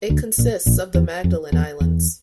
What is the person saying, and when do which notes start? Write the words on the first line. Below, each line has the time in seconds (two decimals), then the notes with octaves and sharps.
It consists of the Magdalen Islands.
0.09 D2 D3
0.38 A#1 A#2
0.66 A#1 A#2
0.94 E2
1.24 F2
1.52 E2
1.81 E2